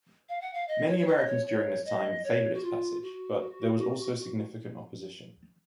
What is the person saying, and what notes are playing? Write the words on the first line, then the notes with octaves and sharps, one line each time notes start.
Many Americans during this time favored its passage, but there was also significant opposition.
F5
F#5
F5
D#5
C#5
C#5
B4
D#5
C#5
C#5
D#5
C#5
F#4
F4
F#4